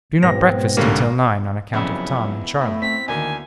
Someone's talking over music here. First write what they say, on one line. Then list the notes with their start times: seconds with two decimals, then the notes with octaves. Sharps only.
We do not breakfast until nine, on account of Tom and Charley.
0.23 G#2 B2 B3 C4 A#6
0.77 C2 D3 G3 A#3 C#5
1.74 F2 A#2 C#3 F#3 B3 E4
2.61 A2 A3
2.82 C4 B6
3.08 D2 D#3 A#3 G#5